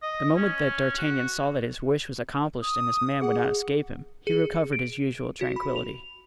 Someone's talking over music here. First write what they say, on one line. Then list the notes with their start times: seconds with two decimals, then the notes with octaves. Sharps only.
The moment that D'Artagnan saw that his wish was accomplished and his man would not escape him, he recovered his usual tranquillity.
0.02 D#5
0.37 C#4
0.98 F#4
2.62 D#6
3.22 G#4 F#5
4.27 G#4
4.73 D7
5.41 F#4
5.56 B5
5.76 F7